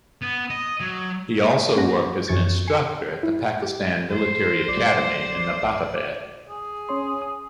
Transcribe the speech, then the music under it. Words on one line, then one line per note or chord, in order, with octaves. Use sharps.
He also worked as an instructor at the Pakistan Military Academy in Abbottabad.
B3
D#5
F#3
A#3 C#4 F#5 A#6
F#2 E3 C#6 G#6 A6
G#5
E4
G4
C5
B1 D5
G#4
C#4 C#5 C6
D#6